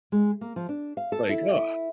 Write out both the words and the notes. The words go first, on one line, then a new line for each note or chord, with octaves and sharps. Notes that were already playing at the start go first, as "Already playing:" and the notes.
Like, "Ugh,
G#3
A#3
F3
D4
F5
A4
E4
E4